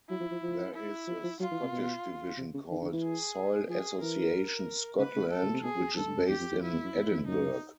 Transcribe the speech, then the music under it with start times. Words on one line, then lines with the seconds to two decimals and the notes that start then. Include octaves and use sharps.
There is a Scottish division called Soil Association Scotland, which is based in Edinburgh.
0.09 F#3 E4
0.20 F3
0.31 F3
0.42 F3
0.74 E4
1.07 F3
1.23 F3
1.40 F#3 F4
1.51 E3
1.62 C3
1.72 B2
2.38 C3
2.54 C#3
2.71 D#3
2.81 D3
2.92 E3
3.03 G#4
3.68 F3 G#4
4.01 E3 A#4
4.99 C#3 B4
5.15 C#3
5.31 A4
5.42 C#3
5.53 C3
5.64 B2 G#4
5.80 F2
5.96 G2 A4
6.07 G2
6.18 F#2
6.29 E2 G4
6.40 F2
6.51 E2
6.62 E4
6.73 E2
6.84 F#2
6.94 E2
7.11 F2
7.27 F#2 D#4